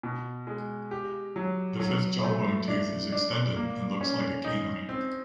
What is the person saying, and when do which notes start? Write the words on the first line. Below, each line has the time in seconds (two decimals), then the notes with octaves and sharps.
The fifth jawbone tooth is extended and looks like a canine.
0.03 B2
0.47 G#3
0.91 G4
1.36 F#3
1.80 F#3
2.24 A3
2.68 D4
3.12 D4
3.56 A#3
4.01 C#4
4.45 D#4
4.89 C4